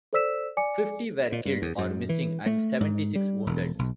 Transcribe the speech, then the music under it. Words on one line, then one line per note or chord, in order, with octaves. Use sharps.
Fifty were killed or missing and seventy-six wounded.
A4 C5 D5 E6 B6 E7
D5 G#5 D6 C#7
A#2
G2
E2
F#2
E3
A3
G#2
G3
E1
B1